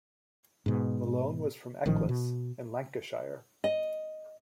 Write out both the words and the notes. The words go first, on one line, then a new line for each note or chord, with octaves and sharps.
Malone was from Eccles in Lancashire.
G#2 B2
A1 A#2 D#3 F3
B2
D#5